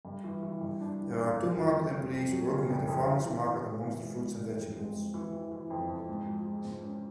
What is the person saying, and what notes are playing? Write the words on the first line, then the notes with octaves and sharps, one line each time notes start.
There are two market employees working at a farmer 's market amongst the fruits and vegetables.
G2
E3
E3
G2
D4
E3
D4
G2
F2
F#3
F2
F2
F#3
C#3
F2
F2
E3
E3
E3
E3
E3
G#3
E3
E3
F2
G#3
F2
E3
E3
E3
F2
F2
G#2
F3
G#3
G#2
C#4